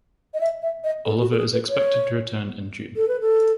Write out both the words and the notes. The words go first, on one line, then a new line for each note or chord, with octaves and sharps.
Olivier is expected to return in June.
D#5
E5
E5
D#5
A4
F#4
A4
G#4
B4
C#5
A4
B4
A4